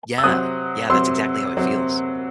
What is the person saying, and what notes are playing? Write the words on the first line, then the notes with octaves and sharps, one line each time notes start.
Yeah. Yeah, that's exactly how it feels.
E6
C3 F#3 C4 D#6 F#6
C3 F#3 C4 C6 E6
C3 F#3 C4